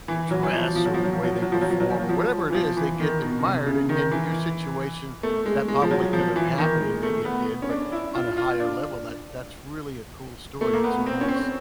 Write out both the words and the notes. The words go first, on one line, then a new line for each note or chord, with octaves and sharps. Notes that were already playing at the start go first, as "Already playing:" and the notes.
dress, or the way they perform, or whatever it is, they get admired, and and in your situation, that probably could've happened, and maybe it did, but on a higher level, that that's really a cool story. It's almost,
E3
F#3
E3
F3
F3
F#3
F3
F#3
F3
F#3
F3
F#3
F3
F#3
F3
F#3
F3
F#3
F3
E3
F3
E3
D#3
B2
B2
C3
C#3
D#3
E3
A3
G#3
G#3
F3
F#3
F3
E3
D#3
G#3
A3
B3
C#4
D4
E4
F4
F4
D4
A3
A#3
B3
C4
C#4
C4